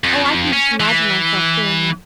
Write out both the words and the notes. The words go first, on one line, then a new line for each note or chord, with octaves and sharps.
Oh, I can just imagine myself doing it.
F2
C#4
E3